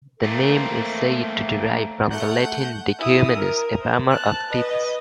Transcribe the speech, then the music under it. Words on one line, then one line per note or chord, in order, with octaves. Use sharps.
The name is said to derive from the Latin "decumanus", a farmer of tithes.
A3 A#3 C4
A3 F#5 G6
E4 D#6
A#4
C5
A5 F#6
B4 D#5